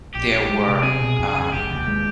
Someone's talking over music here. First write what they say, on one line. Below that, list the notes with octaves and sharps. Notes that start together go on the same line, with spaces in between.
there were, um,
A#1 G4
A2
G#3
C3
C4 G#4
B2
F2
C#3
F1 G4
D#2
G#3